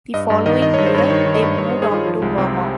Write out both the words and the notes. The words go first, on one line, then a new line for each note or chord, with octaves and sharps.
The following year, they moved on to Burma.
G2 D#5
G2 D#5
D#3 D#5
D#3 D#5
C#5
G2
C5
G2 C#5
D#3 C#5
D#3
D#5
G2
G2 C#5
C5
D#3
G#4
D#3 F4
F3
C2 G#3
C3 C4